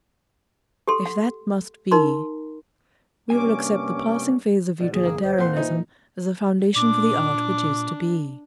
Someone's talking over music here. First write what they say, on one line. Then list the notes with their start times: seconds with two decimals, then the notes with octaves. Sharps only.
If that must be, we will accept the passing phase of utilitarianism as a foundation for the art which is to be.
0.88 G4 A4 C6
1.06 F#5
1.91 D#4 A#4 A#5 C6
3.30 G2 C3 A#3 C#4 G#5 D6
4.80 G#2 B2 D5
4.93 A#1 D#2 G#4
5.04 G1 A#3 A#4
5.24 G1 C5 D#5
5.38 F2 A#2 F4 F#5 G5 C6
5.57 E3 D#4
6.76 A#2 D4 D6